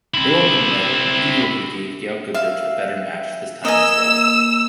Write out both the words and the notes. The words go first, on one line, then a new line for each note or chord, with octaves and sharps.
Earl Monroe eagerly gave Gail Goodrich a better match this time as well.
C4 E4
E5 F5
A#3 D#5 G#5 E6